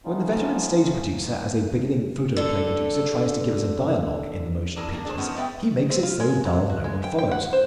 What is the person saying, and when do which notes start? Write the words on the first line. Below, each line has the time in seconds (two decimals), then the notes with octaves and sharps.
When the veteran stage-producer as a beginning photoplay producer tries to give us a dialogue in the motion pictures, he makes it so dull no one follows.
0.05 F3 A3 B3 C#4 D#4 F4
2.36 D3 A4
4.76 D4 E4 G#4 A#4
4.92 A#3 D4 A#4
5.05 D4 G#4 A4 C5
5.18 E3 F3 G#3 B3 C#4 D#4
5.36 B3 B4 C#5 D#5 E5 G5
5.90 C4
6.03 F4
6.20 G#3
6.45 F#3
6.70 F#4
6.84 G#3
7.04 G5
7.18 G5
7.31 F#5
7.53 C5